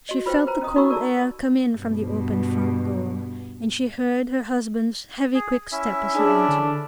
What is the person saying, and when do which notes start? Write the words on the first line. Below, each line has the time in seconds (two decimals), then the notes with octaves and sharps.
She felt the cold air come in from the opened front door, and she heard her husband's heavy, quick step as he entered.
0.09 F#4 D#5
0.26 F4 B4 C5 F5 G5
0.47 B4 C5 A#5
0.61 C#4 D#5 D#6
0.76 D#4 F#4 A#5 B5 C#6 E6
0.90 A#4 D5 A5 A#5
1.77 G2 B2
5.34 G#4
5.72 C#4 E4 E5
6.15 D4 G#4
6.49 D3